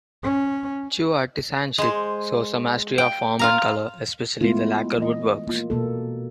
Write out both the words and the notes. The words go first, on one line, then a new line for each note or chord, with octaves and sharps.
Chu artisanship shows a mastery of form and color, especially the lacquer woodworks.
C#4
G#3 C5
G5
F4 F5 A#5
G#3 A3 B3 E4 F4
E3 D#5
A#3 F4
B2 A#3 A4